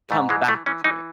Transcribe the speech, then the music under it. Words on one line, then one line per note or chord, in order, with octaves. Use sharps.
come back to it,
G#2 A3
E3 G#3
E3 A3
E3 C#4
E3 D#4